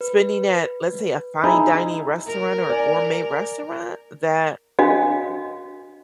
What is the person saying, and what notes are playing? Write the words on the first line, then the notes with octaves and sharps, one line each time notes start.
spending at, let's say, a fine dining restaurant or a gourmet restaurant that
B4
D#4 E4 F#4 G#4 A#5 B5
A#4
D5 G#5
D4 F#4 D#5 F5